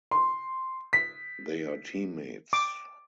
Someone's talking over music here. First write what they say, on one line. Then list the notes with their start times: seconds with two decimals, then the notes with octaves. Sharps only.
They are teammates.
0.11 C6
0.93 B6
2.53 D6